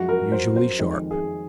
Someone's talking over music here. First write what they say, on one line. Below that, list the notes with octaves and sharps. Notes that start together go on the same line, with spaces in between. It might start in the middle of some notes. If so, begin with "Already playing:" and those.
Usually sharp.
Already playing: F#2 F3 G#3 F#4
A#4
C5
C5
F2 D#3 G#3
G#4